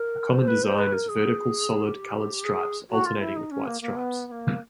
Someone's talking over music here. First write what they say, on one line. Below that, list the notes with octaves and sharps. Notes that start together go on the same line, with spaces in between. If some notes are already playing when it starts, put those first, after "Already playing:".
A common design is vertical solid colored stripes alternating with white stripes.
Already playing: A#4
C5
B4
C5
B4
A#4
G#4
G4
G#4
F#4
F4
E4
D#4
C#4
A#3
A#3
B3
B3
A#3